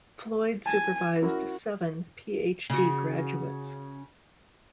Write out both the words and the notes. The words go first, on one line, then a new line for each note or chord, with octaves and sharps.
Floyd supervised seven PhD graduates.
G#5 A5
C#4 E4 F#4 A#4
C#3 F#4